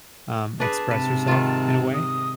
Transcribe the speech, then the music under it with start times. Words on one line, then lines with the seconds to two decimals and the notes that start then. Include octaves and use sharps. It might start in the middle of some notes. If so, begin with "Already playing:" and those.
um, express yourself in a way.
0.60 D4 G#4 B4 A5
0.91 G#2 C3 B4
1.28 D#3 F4
1.94 D#6